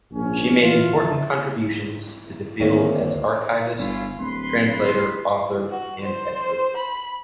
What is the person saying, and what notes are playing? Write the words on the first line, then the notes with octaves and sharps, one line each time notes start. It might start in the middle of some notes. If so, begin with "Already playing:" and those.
She made important contributions to the field as archivist, translator, author and editor.
A#1 G#2 C#4
E3 A#3 E4 F4
F2 E5 A5
D2 D#3 A#3 C4 C#5 E5
G1 C#4 E4 F4
D1 B4 B5 C6
F#4
C5
B5